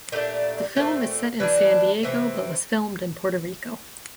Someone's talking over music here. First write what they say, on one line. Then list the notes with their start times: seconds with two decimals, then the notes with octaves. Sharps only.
The film is set in San Diego but was filmed in Puerto Rico.
0.12 A#2 A3 D4 G4
0.75 A#2 A3 C4
1.40 E3 G3 D4
2.03 C3 E3 A3 C4